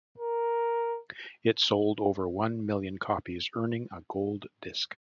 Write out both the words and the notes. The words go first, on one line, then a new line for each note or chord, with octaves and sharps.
It sold over one million copies, earning a gold disc.
A#4